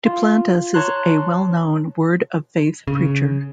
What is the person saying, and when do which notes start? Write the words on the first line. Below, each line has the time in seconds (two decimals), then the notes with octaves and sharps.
Duplantis is a well-known Word of Faith preacher.
0.06 F4
0.74 C#5 A5 A#5 C6 F#6
2.88 C#3